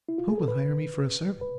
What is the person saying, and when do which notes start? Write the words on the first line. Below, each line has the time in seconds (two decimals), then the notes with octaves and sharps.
Who will hire me for a servant?'
0.09 E4
0.18 F4
0.29 G#4
0.38 A4
0.48 B4
1.41 B4